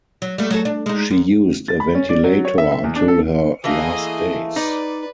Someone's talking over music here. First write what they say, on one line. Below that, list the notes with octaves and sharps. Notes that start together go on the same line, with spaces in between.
She used a ventilator until her last days.
F#3
G3 A3
F#3 A4
D4
G#3 D#4
F#2
A6
B5
C#4
D5
F#3
C#5
E5
E5
E2
D4
A4
E3 A3 A#3 G#4 D#5
D#4 B4 D5